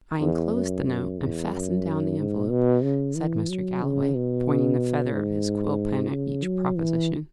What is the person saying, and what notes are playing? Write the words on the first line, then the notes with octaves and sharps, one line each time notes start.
"I enclosed the note, and fastened down the envelope," said Mr. Galloway, pointing the feather of his quill pen at each proposition.
E2
F#2
F#2
E2
F#2
G#2
B2
C#3
E3
F#3
C#3
B2
G#2
C#3
F#3
E3